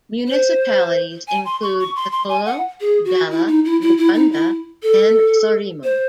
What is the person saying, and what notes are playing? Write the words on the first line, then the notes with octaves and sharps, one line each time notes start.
Municipalities include Cacolo, Dala, Muconda, and Saurimo.
C5
G#5
C6
C#6
C#6
C6
C6
G#5
F#5
G#4
F#4
E4
D#4
E4
E4
E4
D#4
E4
A4
C5